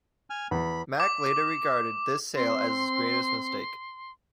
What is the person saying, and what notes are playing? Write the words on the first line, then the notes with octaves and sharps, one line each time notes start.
Mack later regarded this sale as his greatest mistake.
G#5 F6
E2 B5
D6
C4 C6